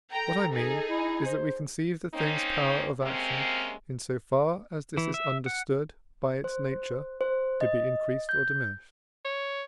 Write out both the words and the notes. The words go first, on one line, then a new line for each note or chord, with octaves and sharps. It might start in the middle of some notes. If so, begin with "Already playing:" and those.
What I mean is, that we conceive the thing's power of action, in so far as this is understood by its nature, to be increased or diminished.
A4 G5 A#5
D#4 G#4
E4
C5
A#3 C4 C#4 D#4
C3 G#3 A#3 C4 C#4
E3
E5
F#5
C5
C5
D#5
G6
C#5